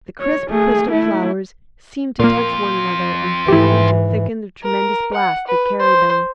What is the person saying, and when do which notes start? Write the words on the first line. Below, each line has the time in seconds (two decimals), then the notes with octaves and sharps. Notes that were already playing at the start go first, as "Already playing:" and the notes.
The crisp crystal flowers seemed to touch one another and fairly to thicken the tremendous blast that carried them.
0.20 C#5
0.49 A3 G#4
0.90 A3 E4
2.20 F2 A#2 A#3 F4
3.48 G#2 E3 E4 G4
4.63 A#4
5.13 F#5
5.47 B4
5.80 C5